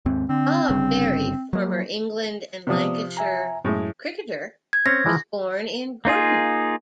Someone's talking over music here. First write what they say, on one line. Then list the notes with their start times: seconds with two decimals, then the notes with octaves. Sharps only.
Bob Berry, former England and Lancashire cricketer, was born in Gorton.
0.06 D#2 G#2 C4
0.29 D3 C4
0.69 G1 G2 C#3
1.53 F#3 A#3
2.67 C3 F3 B3 D5 D#6
3.17 E5 G#5 A#5
3.65 F#2 A2 G#3 E4
4.73 G#6
4.86 C4 C#4 C#5 A#6
5.06 E3 F3
6.05 A#3 D#4 F4 G#4